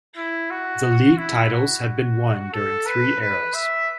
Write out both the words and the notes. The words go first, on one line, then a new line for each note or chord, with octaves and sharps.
The league titles have been won during three eras.
E4
F#4
E4
F#4
A4
B4
B4
E5